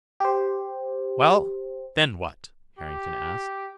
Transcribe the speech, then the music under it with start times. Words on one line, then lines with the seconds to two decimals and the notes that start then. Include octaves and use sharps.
"Well, then what?" Harrington asked.
0.20 G4 C5
2.79 G4